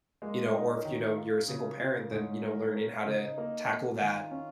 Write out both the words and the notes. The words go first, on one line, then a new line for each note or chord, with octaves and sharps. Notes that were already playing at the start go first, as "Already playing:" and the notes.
you know, or if, you know, you're a single parent, then, you know, learning how to tackle that
G#3 A#3
D#4
C#4
D#3
A#3 F4
C#3
A#3
F4
G#2 C#4
A#4
A#4
F4
C#3 D#4
A#3
A#3
D#3 F4
C#4